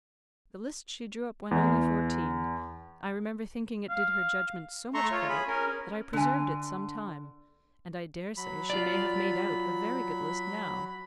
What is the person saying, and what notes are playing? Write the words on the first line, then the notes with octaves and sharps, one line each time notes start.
The list she drew up when only fourteen--I remember thinking it did her judgment so much credit, that I preserved it some time; and I dare say she may have made out a very good list now.
E2
F5
A3 A4 A#5 C6 C#6
F4 C#5
G#4 B5
C#4 A#4
D3 G#5
F#3 B5
F4 D5